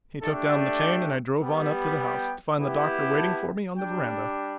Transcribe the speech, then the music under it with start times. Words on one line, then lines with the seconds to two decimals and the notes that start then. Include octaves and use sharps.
He took down the chain and I drove on up to the house, to find the Doctor waiting for me on the veranda.
0.21 A3 D4 G4 A4
0.52 D5
1.41 G3 B3 G4
2.00 G5
2.59 B3 E4 G4
3.18 A5
3.77 G3 D4 G4 G5